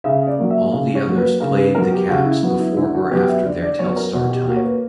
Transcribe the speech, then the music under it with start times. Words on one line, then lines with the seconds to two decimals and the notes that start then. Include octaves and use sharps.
All the others played the caps before or after their Telstar time.
0.04 C#3 E5
0.27 D5
0.39 F#3 A#3
0.50 E5
0.72 C#3
0.95 C#5
1.07 F#3 A#3
1.18 B4
1.40 C#3 A#4
1.58 B4
1.74 F#3 B3 A#4
1.92 G4
2.09 C#3 F#4
2.25 E4
2.43 F#3 B3 F#4
2.59 E4
2.76 D3 E4
2.94 F#4
3.11 F#3 B3 G4
3.28 E5
3.45 D3 D5
3.62 D5
3.79 F#3 B3 C#5
3.96 A#4
4.14 B2 F#4
4.30 G4
4.47 A#3 F#4
4.56 C#5
4.64 B4